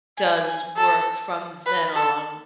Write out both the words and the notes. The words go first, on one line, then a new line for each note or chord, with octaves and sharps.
does work from then on
G#5
G#5
A4
B4
A4